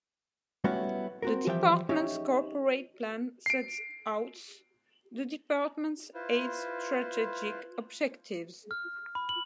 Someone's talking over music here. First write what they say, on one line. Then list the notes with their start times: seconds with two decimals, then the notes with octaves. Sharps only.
The department's Corporate Plan sets outs the department's eight strategic objectives.
0.64 G3 A3 B3 C#4 E4 F#4
1.22 C4 F#4 A#4
1.47 E3 F3 G3 G4 E5 G5
1.89 C#4 D#4 G4 D#5 E5
3.46 C7 D7
6.14 E4 F4 B4 C5
8.71 F6
9.15 B5
9.29 F#7